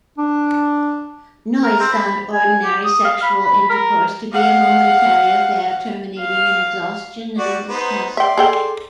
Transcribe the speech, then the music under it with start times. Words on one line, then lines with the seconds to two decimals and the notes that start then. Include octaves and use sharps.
Noyes found ordinary sexual intercourse to be:a momentary affair, terminating in exhaustion and disgust.
0.18 D4
1.64 A#4
1.80 C4
1.93 B5
2.33 G#5
2.64 G4
2.84 D#6
3.05 F5
3.23 B5
3.45 B5
3.70 A#4
4.32 F5 F#5
6.18 F5
7.38 G3 F#4 D5
7.69 B3 D#4 C5
8.17 D5 E5 G5 C6
8.38 G#4 A4 G5